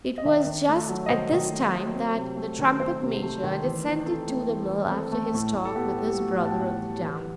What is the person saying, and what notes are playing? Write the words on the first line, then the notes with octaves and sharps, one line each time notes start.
It was just at this time that the trumpet-major descended to the mill after his talk with his brother on the down.
D#5
D#3 E5
D#3
A3
F#3
D#5
D#3 C5
D#3
A3
F#3
C4
C3
A3
D#3
C4 C5
C3
A3
D#3
E3
E3
C4 A4
A3
E3
E3
C4 A4
A3
A2
A2
A4
B3 G4
G3
A2 F#4
A2
A5
G5
B3 F#5
G3
E3